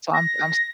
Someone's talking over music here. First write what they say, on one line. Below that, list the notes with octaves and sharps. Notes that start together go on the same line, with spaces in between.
So, I'm I'm s
A#6